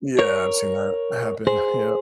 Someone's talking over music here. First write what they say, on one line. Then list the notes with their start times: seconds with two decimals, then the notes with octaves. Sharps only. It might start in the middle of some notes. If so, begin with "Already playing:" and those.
Yeah, I've seen that happen. Yeah.
0.19 A#4 C#5
1.47 G#4 C5